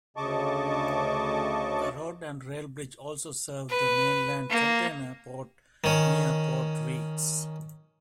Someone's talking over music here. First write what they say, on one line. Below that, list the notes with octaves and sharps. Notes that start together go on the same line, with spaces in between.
A road and rail bridge also serve the mainland container port near Port Reitz.
D2 C#3 D#5 A5 C#6 D6
B4
A#3
D#3 C#4